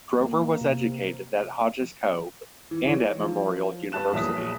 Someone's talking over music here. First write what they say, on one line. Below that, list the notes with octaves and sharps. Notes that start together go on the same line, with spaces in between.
Drover was educated in Hodge's Cove and at Memorial University.
A#3
C3
E3
E3 C#5
F3
G2 B4 A5 F#6 E7
A#1 E2 F#3 E5 D#6 B6